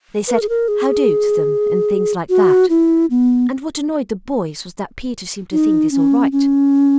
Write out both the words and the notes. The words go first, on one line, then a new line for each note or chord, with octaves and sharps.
They said 'How-do?' to them, and things like that; and what annoyed the boys was that Peter seemed to think this all right.
B4
A#4
G#4
A#4
G#4
F#4
E4
B3
D#4
C#4
C#4